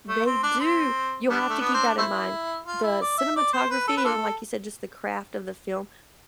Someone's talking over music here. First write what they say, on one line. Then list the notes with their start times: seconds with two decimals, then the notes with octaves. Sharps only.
They do, you'll have to keep that in mind, the cinematography and, like you said, just the craft of the film,
0.08 A3
0.26 C4
0.43 D4
0.60 C4
1.30 G3 B3 D4
1.50 A3
1.61 B3
1.74 C4
1.86 D4
1.98 A3 C4 E4
2.66 F4
2.83 E4
3.01 D5
3.18 E5
3.36 D5
3.53 C5
3.70 B4
3.88 A4
3.97 B4
4.05 D4 F4 A4